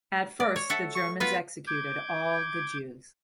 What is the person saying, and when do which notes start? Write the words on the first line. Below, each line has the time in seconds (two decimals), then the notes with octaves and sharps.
At first the Germans executed all the Jews.
0.40 D5
0.56 C#5
0.70 A4 E5 F#5
0.95 C#6
1.20 B3 F4 B4
1.67 D6 G6 G#6